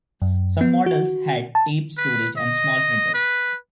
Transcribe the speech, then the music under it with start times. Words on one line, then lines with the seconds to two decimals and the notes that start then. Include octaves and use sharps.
Some models had tape storage and small printers.
0.22 F#2
0.61 B3
0.86 F#4
1.55 A5
1.98 B4
2.37 D#5
3.14 B4